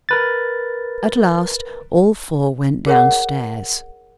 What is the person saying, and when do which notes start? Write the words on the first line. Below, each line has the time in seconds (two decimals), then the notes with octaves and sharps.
At last all four went downstairs.
0.09 A#4 B4 A6
2.86 G#4 A#4 C#5 E5 F#5